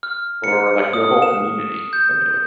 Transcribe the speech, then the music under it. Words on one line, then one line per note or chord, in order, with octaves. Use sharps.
for, like, your whole community, essentially.
F6
C#7
D#6
E7
G6